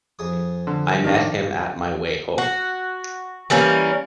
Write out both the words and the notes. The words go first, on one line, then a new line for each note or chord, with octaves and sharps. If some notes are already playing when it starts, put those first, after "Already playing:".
I met him at my way home.
F2 G#4 D#6
D3
D#3 D4
F#4
E3 G3 A#3 C#4